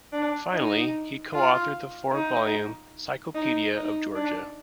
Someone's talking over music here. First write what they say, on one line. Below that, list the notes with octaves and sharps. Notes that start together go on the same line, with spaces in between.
Finally, he co-authored the four-volume "Cyclopedia of Georgia".
D4
D#4
F4
D#4
D#4
D#4
D4